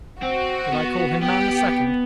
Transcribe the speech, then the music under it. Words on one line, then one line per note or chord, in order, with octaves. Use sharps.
Did I call him man the second?
C4 F#4
B3
B3 G4